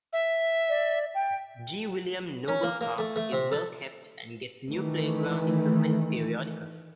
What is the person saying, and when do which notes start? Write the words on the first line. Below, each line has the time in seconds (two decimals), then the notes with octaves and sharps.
G. William Noble Park is well kept and gets new playground equipment periodically.
0.13 E5
0.69 D5
1.14 G5
2.48 C#4
2.63 A#3
2.81 A#3
2.98 A3
3.16 A3
3.32 C3
3.52 A4
4.70 D#3 E3 A3